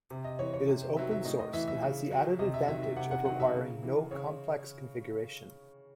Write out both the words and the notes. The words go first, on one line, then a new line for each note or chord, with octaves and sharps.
It is open source and has the added advantage of requiring no complex configuration.
C3
D#5
E3 C#5
C#5
C3
C5
D#3 F#3 E5
E5
A2 D#5
D#5
E3 E5
E5
C#3
F#3
C3 D#5
E5
D#3 F#3 E5
E5
C3 F#5
F#5
D#3 F#3 F#5
E5
C#3
E3
C#3 C#5